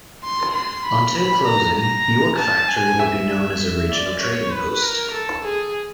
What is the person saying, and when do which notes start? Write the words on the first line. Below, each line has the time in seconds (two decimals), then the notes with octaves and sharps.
Until closing, York Factory would be known as a regional trading post.
0.23 C6
0.54 C6
0.85 B5
1.15 B5
1.46 A#5
1.77 A#5
2.38 A5
2.69 G#5
2.99 E5
3.91 D5
4.21 C#5
4.52 B4
4.83 A#4
5.13 A4
5.45 G#4